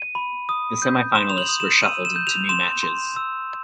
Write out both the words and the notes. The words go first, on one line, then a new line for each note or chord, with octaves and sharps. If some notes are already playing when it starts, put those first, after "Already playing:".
The semifinalists were shuffled into new matches.
Already playing: D#7
B5
D#6
G6
C6 E7
F7
F#7
D#6
E7
E6 D#7
E7
G6
F7
C6 E7
C6
E6